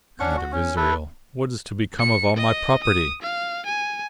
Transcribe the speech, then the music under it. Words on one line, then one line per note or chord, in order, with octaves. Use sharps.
"God of Israel! what is to become of all my property?"
C#4 D4 F#5 C#6
F#4
C#4
E4 A4 B4
C#7
D#5
D#6
F5
G#5